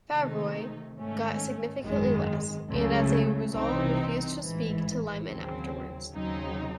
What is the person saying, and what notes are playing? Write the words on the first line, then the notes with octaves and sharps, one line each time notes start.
Favreau got significantly less, and as a result refused to speak to Liman afterwards.
C3 D#3 A3 D#4
G#2 D#3 A3 C#4
G#1 F#2 D#3 G#3
C#2 C#3 F#3 A3
C2 C3 E3 C4 D#4
A1 G#2 E3
D#2 C#3 F#3 C4
D#2 C#3 F#3 C4 D#4